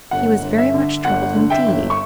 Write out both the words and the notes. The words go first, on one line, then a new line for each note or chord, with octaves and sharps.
He was very much troubled, indeed.
G1 F#5
G1
E5
D3
G1 F#5
D3
E5 G5
G1
C#6